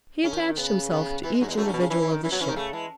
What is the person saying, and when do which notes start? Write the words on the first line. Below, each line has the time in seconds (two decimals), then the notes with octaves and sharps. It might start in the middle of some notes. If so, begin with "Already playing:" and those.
He attached himself to each individual of the ship.
0.24 C#3 C#4
0.32 D#3
0.41 E3
0.49 D#3
0.57 C#3 B3
0.91 B3
1.23 E3 B3
1.33 G#3
1.41 G#2 F#3
1.48 E2 G#3
1.56 F#2 A3
1.65 G#2
1.68 C#4
1.73 B2
1.80 C#3 C#4
1.90 E3 C#4
2.02 E3
2.12 D#3
2.23 E3 C#4
2.32 F#3 B3
2.41 E3 C#4
2.49 D#3
2.56 C#3 A3
2.73 E3 G#3